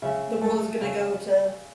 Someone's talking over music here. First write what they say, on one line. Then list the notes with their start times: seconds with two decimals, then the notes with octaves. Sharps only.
the world is gonna go to
0.02 C#3 E5
0.42 A3
0.81 C#3